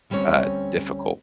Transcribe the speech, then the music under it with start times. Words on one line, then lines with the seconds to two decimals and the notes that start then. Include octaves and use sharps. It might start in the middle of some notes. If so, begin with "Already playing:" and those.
uh, difficult.
0.10 D2 G3 C4 C#4 C#5